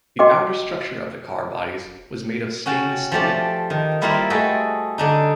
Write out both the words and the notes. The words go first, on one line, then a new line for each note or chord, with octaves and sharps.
The outer structure of the car bodies was made of stainless steel.
F#4 D#5 G5 D6
C#4 F#4 G5 A5
F3 A3 G4 D5
D#3
G3 A#3 E4 F4 C5 G5
A3 F#4 G#4 A4 D#5 G5
D3 D4 D#4